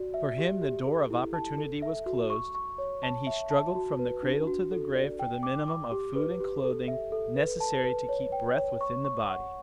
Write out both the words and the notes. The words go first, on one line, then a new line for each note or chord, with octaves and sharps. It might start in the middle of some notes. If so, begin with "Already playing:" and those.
For him the door of opportunity was closed, and he struggled from the cradle to the grave for the minimum of food and clothing necessary to keep breath within the body.
Already playing: F#4 D5
E5
G4
G4
A4
E4
A5
A4
E5
F#4
C#6
C#6
C#5
A5
E5
A5
F#4
B4
D4
F#4
A4
D5
G5
D6
D6
G4
B4
G4
A4
E5
A4
B4
A5
B4
C#5
G5
C#5
C#6
C#6
F#5